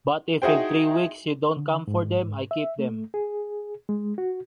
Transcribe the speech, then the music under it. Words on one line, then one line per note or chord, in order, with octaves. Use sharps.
But if in three weeks you don’t come for them, I keep them.
D#4 E4 F#4 G#4 C5 G5
D3
G#2
E5
A3
G#4
G#3
F#4